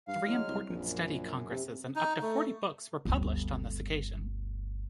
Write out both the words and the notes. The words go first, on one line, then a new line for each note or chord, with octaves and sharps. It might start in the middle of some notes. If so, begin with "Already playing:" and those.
Three important study congresses and up to forty books were published on this occasion.
G2 F5
E2 F#3 G#3 F6
C2
A#1 F#2
C3
D#4
A3
G1 D2